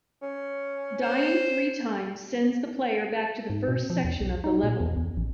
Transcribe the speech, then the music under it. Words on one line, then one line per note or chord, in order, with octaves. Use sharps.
Dying three times sends the player back to the first section of the level.
C#4
C5
G#2
B2
F3
E2
B1
D#4
A#2
E2
E2
A1